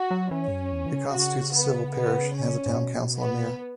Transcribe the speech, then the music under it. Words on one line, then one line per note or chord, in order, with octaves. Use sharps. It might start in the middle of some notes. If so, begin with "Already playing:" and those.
It constitutes a civil parish, and has a town council and mayor.
Already playing: F#4
F#3
E3 C#4
G#2
F#2
E2
E3
C#3
F#4
B3
B3
C#4
G#2
B2
B3